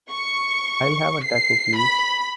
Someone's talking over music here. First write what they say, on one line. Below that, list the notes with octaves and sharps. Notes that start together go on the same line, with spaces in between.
I'll have a Taco, please.
C#6
C7
B5